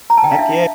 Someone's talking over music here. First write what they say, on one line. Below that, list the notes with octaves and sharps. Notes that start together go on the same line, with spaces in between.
heck ye
A#5
A5
G5
F5
D4 E5